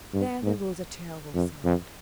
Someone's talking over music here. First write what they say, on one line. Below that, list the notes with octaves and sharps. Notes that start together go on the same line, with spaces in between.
Then there rose a terrible sound.
G2
G#2
F2
F2